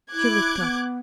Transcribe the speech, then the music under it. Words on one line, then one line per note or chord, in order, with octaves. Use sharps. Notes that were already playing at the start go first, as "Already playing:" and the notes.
She looked up.
E4 D6 F#6 G#6
B3